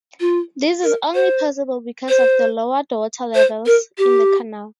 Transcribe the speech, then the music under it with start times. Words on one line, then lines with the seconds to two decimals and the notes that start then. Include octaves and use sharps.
This is only possible because of the lowered water levels in the canal.
0.20 F4
0.83 A#4
1.15 C5
2.09 C5
3.35 C5
3.66 A#4
3.98 G4